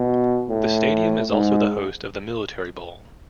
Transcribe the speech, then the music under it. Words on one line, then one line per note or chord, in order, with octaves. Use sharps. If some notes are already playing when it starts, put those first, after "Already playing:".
The stadium is also the host of the Military Bowl.
Already playing: B2
A2
G#2